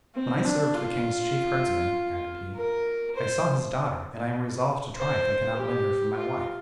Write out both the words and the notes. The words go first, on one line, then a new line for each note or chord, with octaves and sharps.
'When I served the king's chief herdsman,' added he, 'I saw his daughter, and I am resolved to try if I cannot win her for my wife.'
C4
D4
F4
A#4
C5
C5
G4
F4